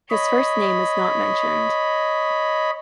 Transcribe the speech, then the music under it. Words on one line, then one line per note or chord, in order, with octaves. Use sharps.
His first name is not mentioned.
C#5 D#5 B5